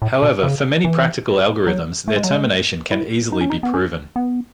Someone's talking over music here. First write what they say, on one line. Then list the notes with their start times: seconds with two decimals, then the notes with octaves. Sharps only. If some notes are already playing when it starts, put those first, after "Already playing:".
However, for many practical algorithms, their termination can easily be proven.
0.02 A2
0.22 B2
0.43 C#3
0.84 E3
1.67 F#3
2.08 A3
2.16 G#3
2.24 F#3
2.31 G#3
2.91 E4
3.32 D#4
3.41 C#4
3.50 D#4
3.63 B3
3.74 C#4
4.16 B3